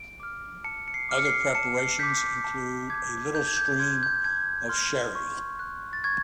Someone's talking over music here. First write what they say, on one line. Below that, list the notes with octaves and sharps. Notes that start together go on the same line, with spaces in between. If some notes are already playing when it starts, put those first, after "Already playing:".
Other preparations include a little stream of sherry.
Already playing: D7
D6 F6
A5 C#7
C#7
C7
D6 F6
C#7
C7
A5 C#7
C7
D6 G6 B6
A5
D6 G6 G#6
A5 G6
G#6
G6
C6 F6 G#6
G#6
G6
A5 G#6
C6 F6
C#6
F#6
A6
C#6 G#6